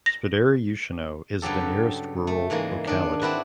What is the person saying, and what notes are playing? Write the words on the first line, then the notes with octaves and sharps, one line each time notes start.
Spodaryushino is the nearest rural locality.
A#6
G2 C#3 F#3 G4 A4
A3
G#2 E3 G#3 A#3
D#3 D4
C4 D4 E4 F#4 B4